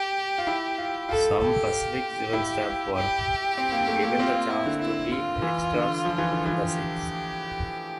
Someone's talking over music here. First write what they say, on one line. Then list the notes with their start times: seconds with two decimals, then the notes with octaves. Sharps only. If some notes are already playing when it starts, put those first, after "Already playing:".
Some Pacific Jewel staff were given the chance to be extras in the scenes.
Already playing: G4
0.38 F4
0.47 E4
0.78 F4
1.09 F4 A4
1.40 G4
2.33 E4
2.95 G4
3.57 C4
3.72 A#3
3.88 A3
4.03 A#3
4.19 C4 F4
4.34 A#3
4.50 E4
4.66 D3
4.80 E4
5.11 F4
5.42 E3
5.74 D3
6.05 F3
6.18 E3
6.32 D3
6.46 E3
6.66 G4